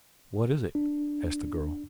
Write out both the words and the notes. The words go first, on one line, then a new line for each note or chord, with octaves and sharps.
"What is it?" asked the girl.
D4